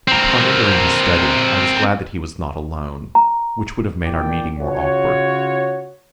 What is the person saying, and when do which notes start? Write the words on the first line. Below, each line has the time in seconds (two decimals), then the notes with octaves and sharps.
Upon entering his study, I was glad that he was not alone, which would have made our meeting more awkward.
0.08 C4 A#4
3.15 A#5
4.06 E2 A#2 D5 G5
4.58 C#3 F4 F#4 C#5